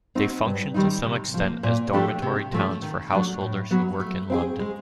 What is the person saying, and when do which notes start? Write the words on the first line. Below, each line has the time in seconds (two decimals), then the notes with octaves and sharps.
They function to some extent as dormitory towns for householders who work in London.
0.15 C4 D#4 F#4
0.45 G2
0.74 D#3 G3 C4 D#4
1.04 C3
1.34 F3 A#3
1.63 A#2
1.93 F3 A3 D4 G4
2.22 C3
2.53 F3 A3 C#4
2.82 D#3
3.12 F#3 A3 D4
3.41 A2
3.71 F#3 B3
4.00 A3
4.30 C4 E4 G#4
4.60 G#3